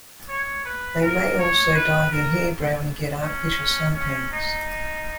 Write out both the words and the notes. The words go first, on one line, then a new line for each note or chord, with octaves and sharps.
They may also dye their hair brown and get artificial suntans.
C#5
B4
A#4
C#5
B4
A#4
C#4
C#4
D#4